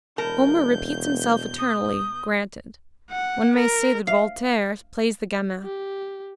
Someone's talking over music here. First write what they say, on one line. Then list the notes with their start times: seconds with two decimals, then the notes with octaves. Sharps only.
Homer repeats himself eternally, granted; one may say that Voltaire plays the gamin.
0.18 E1 B2 A#4 A5 G6
1.59 D#6
3.11 F#5
3.56 A#4
4.07 F5
5.64 G4